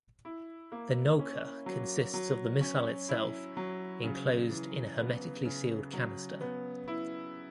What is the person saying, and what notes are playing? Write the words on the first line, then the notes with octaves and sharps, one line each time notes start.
The Nulka consists of the missile itself enclosed in a hermetically sealed canister.
E4
A#3
C#4
F#3
F#3
C#4
E4
F#3
C#3
E3
B3
C#3
F#3
B3
E4